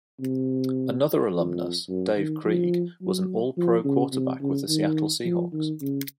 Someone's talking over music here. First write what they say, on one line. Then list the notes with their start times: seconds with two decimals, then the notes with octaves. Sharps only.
Another alumnus, Dave Krieg, was an All-Pro quarterback with the Seattle Seahawks.
0.21 C3
1.33 F2
1.89 F#2
2.17 D#3
2.45 F3
3.01 F#3
3.57 F3
3.85 C#3
4.13 C3
4.41 C#3
4.68 D#3
5.25 F3
5.53 D#3
5.81 C#3